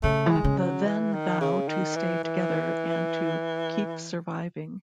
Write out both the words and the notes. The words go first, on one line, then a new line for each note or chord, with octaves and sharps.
The then vow to stay together and to "keep surviving".
C#3 A3
E3
D#3 G#3
C#3
F#3
E3
D#3
C#3
D#3
E3
E3